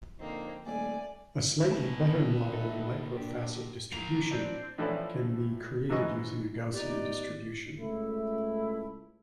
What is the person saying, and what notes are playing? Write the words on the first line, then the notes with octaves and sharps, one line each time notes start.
A slightly better model of microfacet distribution can be created using a Gaussian distribution.
D3 F3 A#3 C4 D#4
D#1 A3 D5 G#5
A#2 B3 C#4 D#4 E4 B4 A5
D#4 A4 E5
D4 G4
F3 A#4 F7
C4 D4
A2 E3 F3 A3 D4 E4
G#2 E3 F#3 D#5 C#6
B3 D#4 G4 D5
C#2 A3 E4